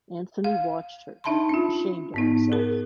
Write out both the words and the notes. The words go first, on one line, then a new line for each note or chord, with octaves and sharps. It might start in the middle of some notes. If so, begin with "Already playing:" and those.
Anthony watched her — ashamed of himself.
F5
D4 D#4 E5 A5 B5 C6
C#4 F4
G#2 B3 D#4
G#4 A#4